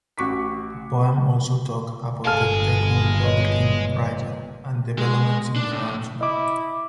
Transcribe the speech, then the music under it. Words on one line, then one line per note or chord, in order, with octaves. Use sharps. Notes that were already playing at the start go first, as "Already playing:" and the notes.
The poem also talk about the Thekkumkur king Raja and developments in the country.
A1 F#4 C#6 D6 B6
G1 G#3 A4 F5 G#5 A5 F6
B4 C#5 D#5
G#3
D4
A2
E4 D#5 D6